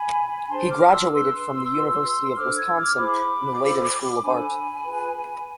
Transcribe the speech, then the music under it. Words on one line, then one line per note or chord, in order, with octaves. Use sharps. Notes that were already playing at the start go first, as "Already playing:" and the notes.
He graduated from the University of Wisconsin and the Layton School of Art.
Already playing: G#5 B5
D4 G#4 C5 A5 C6
D6 F6
C6 E6
D6
D4 G#4 B4 C6 E6
F4 G#4 B4
D4 A4 C5 D6 F6
E6 G#6
D6 F6
E4 G#4 C5 B5 D6
F4 A4 C5
D4 A4 C5 G#5 B5
F4 G#4 B4